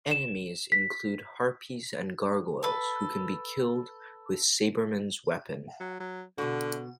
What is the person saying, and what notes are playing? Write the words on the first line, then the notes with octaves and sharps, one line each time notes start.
Enemies include harpies and gargoyles, who can be killed with Sabreman's weapon.
E7
B6
A4 B4
F#3
F#3
B2 D3 F#4